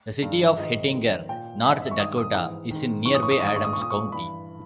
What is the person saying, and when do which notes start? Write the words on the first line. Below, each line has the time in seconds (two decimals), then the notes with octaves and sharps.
The "city" of Hettinger, North Dakota, is in nearby Adams County.
0.22 G2 D#3
0.57 G#2 D#3 D#5
0.92 G#2 D#3
1.29 A#2 G5
1.64 G2 E5
1.69 D#3 D#5
1.82 E5
1.91 C#6
1.99 G2 D#3 D#6
2.18 D#6
2.35 G#2 E3
2.71 G#2 D#3
3.05 G#2 E3 C#6
3.15 D#6
3.23 C#6
3.31 D#6
3.40 G2 D#3 C#6
3.47 D#6
3.56 C#6
3.65 D#6
3.73 C#6
3.77 A#2 D#6
3.91 C#6
4.12 G2 E3 B5